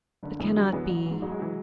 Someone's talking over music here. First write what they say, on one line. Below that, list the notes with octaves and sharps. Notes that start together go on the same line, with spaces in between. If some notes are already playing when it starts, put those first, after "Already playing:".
It cannot be.
F#1 D3
F#2 E3 B3
F#1 F#3
F#2 E3 F#3 B3
A1
G#2 E3
A1 F#3
G#3
E3 F#3